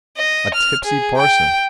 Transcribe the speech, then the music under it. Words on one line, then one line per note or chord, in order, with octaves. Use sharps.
"A tipsy parson."
D#5
F6
G#4
G5